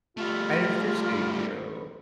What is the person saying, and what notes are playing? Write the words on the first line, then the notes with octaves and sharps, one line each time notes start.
I appreciate you.
G3 A3 F4